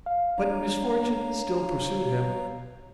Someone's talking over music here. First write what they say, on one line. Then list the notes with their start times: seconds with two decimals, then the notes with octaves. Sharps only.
But misfortune still pursued him.
0.06 F5
0.38 D4 C#5 F5 A#5